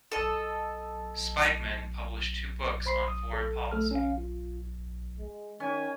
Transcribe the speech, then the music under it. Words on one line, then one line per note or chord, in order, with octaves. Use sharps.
Spykman published two books on foreign policy.
A4 D#5
C5 B5 C6 C7
D#6
A4
A3 A4 F6
C#4 F5
F4
G#3
D#3 C#4 G#5